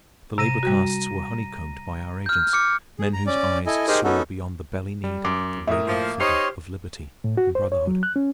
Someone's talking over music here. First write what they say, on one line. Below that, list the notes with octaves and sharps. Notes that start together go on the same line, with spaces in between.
The labor castes were honeycombed by our agents--men whose eyes saw, beyond the belly-need, the radiant figure of liberty and brotherhood.
C3 A#5 A#6 D#7
G3 F#4
F6 G6
D6 F6 C#7
G#4
A#5
C#4 D5
E4 A4 D#5 G#5
D#4 G4 G#4 A#4 C5 D#5
B3 C#4 D#4 F#4 A4
G3
F#2 D6
A2 A#4 E5 D#6
F3 A#3
D#4 G4 C5 C#5 C6 F6 C7
A2
F#4
C5
C#5
F#3
F#6
C#4